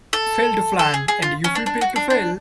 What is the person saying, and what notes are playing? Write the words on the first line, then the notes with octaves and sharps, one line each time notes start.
Fail to plan, and you Prepare to fail.
A4
A4
G#4
G#4
F4
C#4
D4
D4
F#4
D4
D4